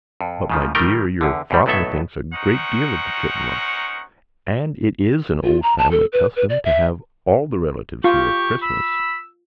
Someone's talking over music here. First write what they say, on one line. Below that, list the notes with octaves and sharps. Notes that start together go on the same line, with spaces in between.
"But, my dear, your father thinks a great deal of the Chipmunks; and it is an old family custom to have all the relatives here at Christmas."
F2
G#2 C#3 F3
D#3 G3 A3 A#4 G5
E2 D3
E2 A2 G3
B1 A2 F#3 B3 A4 E5
C#4 D#4 A#4 C5 F#5 C#6
F4
A#5
A5
A4
B4
B4
D5
E5
F4 G4 C#6
B5 E6